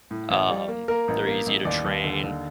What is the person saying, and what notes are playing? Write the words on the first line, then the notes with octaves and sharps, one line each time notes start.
Um, they're easy to train,
A2
A1
G3
A#3
A#3 A#4
A1
A#3
A1
D#2 D5
D#2
D3
D#2